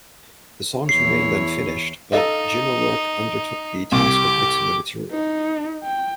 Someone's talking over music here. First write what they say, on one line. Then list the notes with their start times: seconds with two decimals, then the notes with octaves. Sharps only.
The songs remained unfinished, but Jim O'Rourke undertook the task of mixing the material.
0.89 E2 E4 C#5 C7
2.12 D#4 A4 D#5 F5
3.92 C2 G4 D6
5.12 D#4
5.84 G5